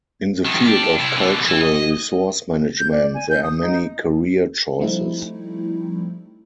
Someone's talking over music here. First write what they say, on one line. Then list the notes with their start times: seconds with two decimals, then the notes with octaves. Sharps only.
In the field of cultural resource management there are many career choices.
0.45 F#2 D#3
0.66 D4 G4
0.98 C3 E4
1.16 B2 D3
1.45 E3
1.61 D#5
2.78 G6
2.91 D5
3.14 G#5
3.29 G6
3.43 D#6
3.61 D#4
4.79 F3 G3 A3 C4 D#4 E4